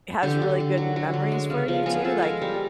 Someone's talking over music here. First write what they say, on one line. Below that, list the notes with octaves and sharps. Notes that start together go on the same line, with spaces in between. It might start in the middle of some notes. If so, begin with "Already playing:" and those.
has really good memories for you too, like,
D3 G4
D3
D3
F#3
F#3
D3
G#3
C#3
F3
B3 G#4
F3 A4
G#3 A#4
G3